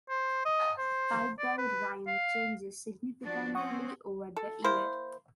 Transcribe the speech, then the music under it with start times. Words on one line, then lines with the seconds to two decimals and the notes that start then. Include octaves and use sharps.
Pike diel rhythm changes significantly over the year.
0.10 C5
0.45 D#5
0.78 C5
1.39 D5
1.58 B4
2.07 F5
3.22 F3 D4 F#4
3.55 C4 C#4 F#5 C#6 D#6
4.36 A4
4.64 A#3 E4 C5